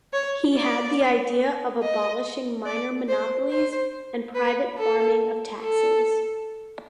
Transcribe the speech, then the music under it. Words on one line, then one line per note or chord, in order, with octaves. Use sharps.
He had the idea of abolishing minor monopolies and private farming of taxes.
C#5
D5
D#5
D5
C5
C5
B4
A4
A4